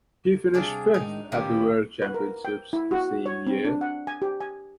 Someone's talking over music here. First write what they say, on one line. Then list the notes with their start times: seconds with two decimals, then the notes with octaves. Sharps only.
He finished fifth at the World Championships the same year.
0.54 C3 G3 D4 G#4 D5 F5
0.94 A2 D#3 G#3 D#4
1.32 A#2 D#3 A#3 B3 C#4 G4
2.02 B4
2.14 A#4
2.45 G5
2.73 E4
2.91 F#4
3.26 C#5
3.47 C4
3.65 D4
3.81 F#5
4.07 G#5
4.22 G4
4.41 G#5